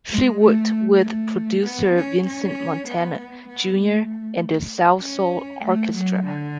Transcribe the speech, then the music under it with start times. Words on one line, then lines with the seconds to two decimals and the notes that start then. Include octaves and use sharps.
She worked with producer Vincent Montana, Junior and the Salsoul Orchestra.
0.10 G#3
0.41 A3
1.03 A3
1.64 B3
1.95 C#4
2.25 C#4
2.87 B3
3.18 B3
3.48 B3
3.80 A3
5.02 C#4
5.63 A3
5.94 F#3
6.25 D3